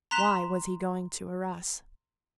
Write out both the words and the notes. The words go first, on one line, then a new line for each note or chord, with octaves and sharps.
Why was he going to Arras?
A#5 C6 F#6 B6 E7